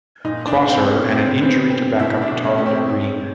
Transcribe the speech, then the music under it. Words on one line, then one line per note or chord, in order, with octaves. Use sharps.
Closser and an injury to backup Todd Greene.
A#2 D#4
D4
A#2
C4
A#3
C#4
D3 C4
B3 C4
D3 C4
B2 E4
D4
B2
C#4
A3 C#4
C4
G#2